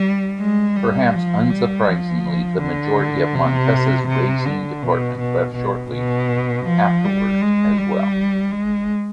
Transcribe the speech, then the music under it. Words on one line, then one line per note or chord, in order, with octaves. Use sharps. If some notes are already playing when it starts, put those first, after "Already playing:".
Perhaps unsurprisingly, the majority of Montesa's racing department left shortly afterwards as well.
Already playing: G3
G#3
G3
F3
G3
F3
D3
C3
C3
D3
B2
B2
B2
B2
F3
G3
G#3
G3
G#3